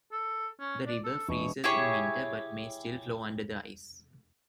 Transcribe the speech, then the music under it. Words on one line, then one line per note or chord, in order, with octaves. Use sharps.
The river freezes in winter but may still flow under the ice.
A4
C#4
D5
A4
E1 C#6
E4 G4 G#4 C#5